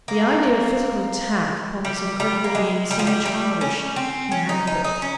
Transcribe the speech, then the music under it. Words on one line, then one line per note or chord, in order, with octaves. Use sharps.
The idea of physical attack upon this incredible being seemed childish--inadequate.
A#3
G3
G3
A#3
G#3
G3
F3
G3
G3
C#4
C4
C#4
D#4
D#4
D#4
C#4